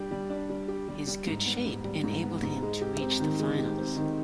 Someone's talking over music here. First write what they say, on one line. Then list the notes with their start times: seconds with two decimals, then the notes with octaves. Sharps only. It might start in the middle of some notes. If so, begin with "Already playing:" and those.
His good shape enabled him to reach the finals.
Already playing: G3 D4 G4
0.11 G3
0.30 D4
0.49 G3
0.68 G4
0.88 G3
1.07 G3
1.27 G#2
1.45 B3
1.66 G#2
1.84 G3
2.03 G#2
2.23 B3
2.43 G#2
2.62 G#3
2.81 G4
3.00 C4
3.20 D#3
3.40 G#3
3.58 G4
3.78 C4
3.96 D#3